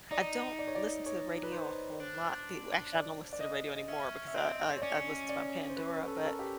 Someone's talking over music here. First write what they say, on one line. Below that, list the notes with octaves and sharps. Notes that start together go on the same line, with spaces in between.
I don't listen to the radio a whole lot. The we actually, I don't listen to the radio anymore because I I I'd listen to my Pandora, but
D#4 D5
D5
C#5
D5
C#5
B4
C5
D4
D5
D5
D#5
D#5
C#4 E5
E5
C4 D#5
C#5
C#4 D5
D5
C5
B4
A4
A#4
A4
G4